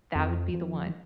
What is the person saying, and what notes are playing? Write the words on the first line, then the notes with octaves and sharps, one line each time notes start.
that would be the one.
F2
F2